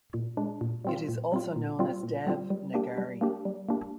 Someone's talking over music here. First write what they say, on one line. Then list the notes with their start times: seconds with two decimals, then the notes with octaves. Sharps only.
It is also known as Dev Nagari.
0.14 A#2
0.37 G#3 D4
0.61 A#2
0.85 G3 C4 F4
1.09 A#2
1.32 G3 C4 F4
1.56 A#2
1.79 G3 C4 F4
2.03 A#2
2.27 G3 C4 F4
2.50 G3
2.74 A#3 D4 G4
2.98 G3
3.21 A#3 D4 G4
3.45 G3
3.69 A#3 D4 G4